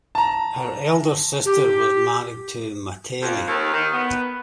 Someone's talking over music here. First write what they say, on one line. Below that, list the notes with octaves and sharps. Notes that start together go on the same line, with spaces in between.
Her elder sister was married to Matale.
A5 A#5
G4
F2
D#2
D#3
B3